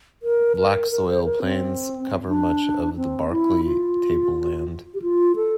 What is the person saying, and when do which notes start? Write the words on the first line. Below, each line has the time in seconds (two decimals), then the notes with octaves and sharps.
Black soil plains cover much of the Barkly Tableland.
0.23 A#4
0.57 A#4
0.91 A#4
1.08 C5
1.25 A#4
1.43 C4
2.28 D4
2.97 C4
3.31 E4
3.64 F4
4.94 G4
5.02 F4
5.36 A4